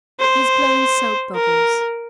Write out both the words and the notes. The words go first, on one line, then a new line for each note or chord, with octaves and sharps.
He is blowing soap-bubbles.
C5
A#4